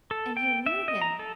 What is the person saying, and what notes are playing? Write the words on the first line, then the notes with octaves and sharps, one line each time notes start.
And YOU KNEW HIM.
A4
G5
E5
D#5
A#5
A4